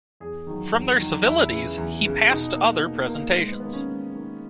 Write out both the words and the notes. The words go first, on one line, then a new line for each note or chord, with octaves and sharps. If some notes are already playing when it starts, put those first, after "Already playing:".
From their civilities he passed to other presentations.
E2 G#4
D#3 F#3
E2
D#3 F#3
E2 E4
C#3 E3
E2
C#3 E3
B2 D#4
A#3
B2
A#3
G#2
B3
D#3 A#3 B3
C#4
G#2
D#3 A#3